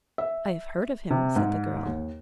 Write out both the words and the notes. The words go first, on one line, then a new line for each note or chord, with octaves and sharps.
"I have heard of him," said the girl.
E5
C3
G#2
D#2